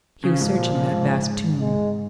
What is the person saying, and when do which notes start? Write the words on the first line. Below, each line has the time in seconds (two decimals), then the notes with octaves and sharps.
He was searching that vast tomb.
0.23 C#3 F3
0.40 G#2
0.57 A#2
0.75 A#2
0.92 G#2
1.60 G#3